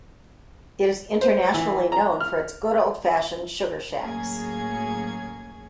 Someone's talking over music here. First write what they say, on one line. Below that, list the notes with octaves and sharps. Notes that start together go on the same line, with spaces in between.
It is internationally known for its good old fashioned sugar shacks.
C5
E3
A#5
F6
A2 F#3 A#3 C#4 G#4 G#6